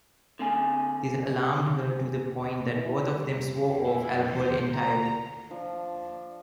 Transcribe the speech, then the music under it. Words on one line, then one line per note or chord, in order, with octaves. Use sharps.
This alarmed her to the point that both of them swore off alcohol entirely.
D3 C4 G#5
E3
G3
E4
C5
A#5
F3 D4